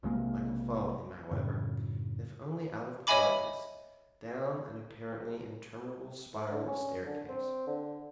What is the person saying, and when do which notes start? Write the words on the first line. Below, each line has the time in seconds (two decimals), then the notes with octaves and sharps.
Michael followed him, however, if only out of politeness, down an apparently interminable spiral of staircase.
0.03 B1 C3 G#3 A#3
1.31 F#2 A2 C#3
3.07 C#5 D#5 E5 G#5 B5 D6
6.34 A3
6.50 D3
6.68 C#4
7.06 D3
7.29 C4
7.67 D3